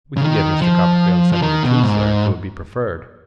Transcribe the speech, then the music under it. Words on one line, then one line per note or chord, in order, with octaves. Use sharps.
We can give Mr. Copperfield seventy-two, sir, if it would be preferred.
C#3
D#3
F3
F3
D#3
B2
G#2